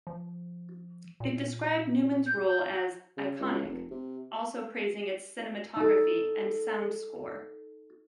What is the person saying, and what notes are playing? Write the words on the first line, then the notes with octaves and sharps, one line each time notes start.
It described Newman's role as "iconic," also praising its cinematography and sound score.
F3
A#2
G6
C#3
C#2
F1
C3
D#4 A4